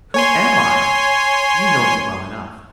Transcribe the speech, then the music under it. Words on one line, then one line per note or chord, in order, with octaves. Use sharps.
"Who am I? You know me well enough."
C#5 G#5 C6